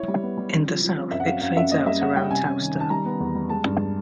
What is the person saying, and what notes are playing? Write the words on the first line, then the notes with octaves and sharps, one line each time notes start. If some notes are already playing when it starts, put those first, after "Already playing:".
In the south, it fades out around Towcester.
Already playing: E4 C#5
G3
B3
G3
C#3
F3
F3
C4
F#2 E5
F#5
F#3 F5
F#2 F5
F#2 E5
A#3 D#5
G3 E5
C#4 F#5
G3 G5
C3 G#5
C#4
D#3
D#3 A5
G3 A#5
B3
E2
G3
G#3 A5
G2